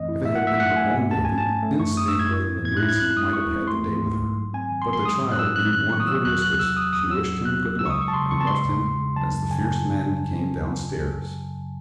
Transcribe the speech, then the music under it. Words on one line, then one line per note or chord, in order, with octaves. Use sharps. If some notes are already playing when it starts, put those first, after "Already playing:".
If it had been her own baby, instinct rather than reason might have had the day with her; but the child being born of her mistress, she wished him good luck, and left him, as the fierce men came downstairs.
Already playing: F#2 E3 A3 C4 D#5
E4
A3 E5
F#5
F#3 E5
A3 F#5
A3 G#5
G#2
C#4 A5
G#2 G#5
A5
C#4
A3
F#2 C#6
F#2 D#6
E6
F#2
G#6
E4
A2
A2 G#6
F#6
E4
G#6
E4 F#6
G#3 D#6
E4 C#6
E4
A3 C6
G#2
G#2
G#2
F#3
C4 G#5
D#3
C6
F#3
C6
G#3 D#6
A2
F#6
E4 E6
C4 F#6
D#3 F#6
F#3 C#6
D#6
F#3 E6
E2 F#6
F#3 F#6
C3 E6
E2 D#6
E2 D#6
F#3 E6
C#4
E2 F#6
F#3
C#3 E6
C#6
D#6
G#3
C#6
A5
C#3 C6
C#3 C#6
A5
G#3 C6
E2
E2
C#3
F#3 A5
F#2
C#3 G#5